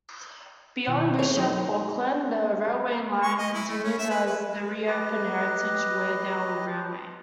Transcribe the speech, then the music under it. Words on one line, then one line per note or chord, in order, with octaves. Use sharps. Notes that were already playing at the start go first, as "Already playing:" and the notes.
Beyond Bishop Auckland, the railway line continues as the re-opened heritage Weardale Railway.
B2 D#3 E4
B3 G#4 A4 C#5 F7
F#3 D#4
C#6
D#5
E4
A3
C#4
E5
B4
B4
G4 B4 D#5